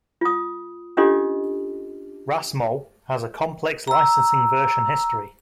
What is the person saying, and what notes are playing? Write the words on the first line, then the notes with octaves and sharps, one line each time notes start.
RasMol has a complex licensing version history.
F4 D#6
C#4 D4 F4 G4 A4 D#5
A#5 E6